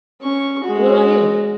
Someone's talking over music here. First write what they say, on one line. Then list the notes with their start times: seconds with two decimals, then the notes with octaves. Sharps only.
but what about you?
0.21 C#4 C#6
0.64 G#3 F#4